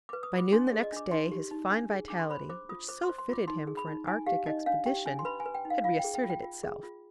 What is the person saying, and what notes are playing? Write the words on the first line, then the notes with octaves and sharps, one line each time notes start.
By noon the next day, his fine vitality, which so fitted him for an Arctic expedition, had re-asserted itself.
B4 D6
D#6
F4
D6
D4 C6
G#4 D5
D#5
D4 D6
D#4 C6
G4
D#4
D4
G#4
D4 D6
C6
C5 B5
C5 D6
F4 D#6
C5 D6
C6
C5
C6
F4 D6
D#4 C6
G#4
B5
D#4
D#4 G#5
G4 F5
D#4 D#5
D4 F5
G4 G5
D4 G#5
C6
B4 B5
G#5
B4
G5
D#4
F5
F4 F5
G#4 G5
G5
F4
G5
F4
G#4
F4